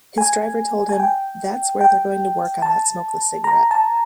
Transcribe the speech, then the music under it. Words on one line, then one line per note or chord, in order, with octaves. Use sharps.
His driver told him, That's where they're going to work on that smokeless cigarette.
G#5
G#5
G5
G5
A5
A#5
A5